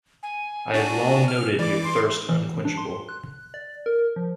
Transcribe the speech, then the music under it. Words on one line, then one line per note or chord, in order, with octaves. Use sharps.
I have long noted your thirst unquenchable.
G#5
D4 F#4
F6
E3 D5 D6
C6
E3
D4
C6
F#6
D5
A#4
F3